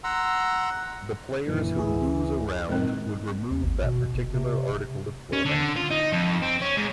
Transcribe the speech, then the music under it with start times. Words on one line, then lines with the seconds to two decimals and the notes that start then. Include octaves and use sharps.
The players who lose a round would remove that particular article of clothing.
0.04 F#5 A#5 C6 E6
1.47 F#2 A#2 D3 E3
1.78 D2 G#4
2.69 A#2 D#3 G#3 C4
3.51 D#2
3.63 G#1
3.84 B2
4.14 F#1
4.34 C3
5.33 C#4
5.46 D3
5.76 F4
5.91 D#4
6.12 F2
6.43 C4
6.62 C#4
6.78 G#2